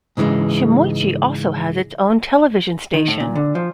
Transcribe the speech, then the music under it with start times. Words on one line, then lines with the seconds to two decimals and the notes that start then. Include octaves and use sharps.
Shimoichi also has its own television station.
0.17 G#2 C#3 E3 G3 G#3
2.94 D#3
3.08 A2
3.20 A#2
3.36 D3
3.55 F3